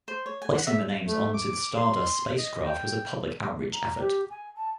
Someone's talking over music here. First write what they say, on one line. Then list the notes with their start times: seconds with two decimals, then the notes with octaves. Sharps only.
Placing the names onto the Stardust spacecraft was a public outreach effort.
0.08 C5
0.26 C#5
0.42 G#5
0.55 F#5
0.67 E5
1.07 A3
1.34 D6
1.77 C6
2.38 D#5
2.65 G5
3.73 A#5
3.98 G4
4.30 G#5
4.57 A5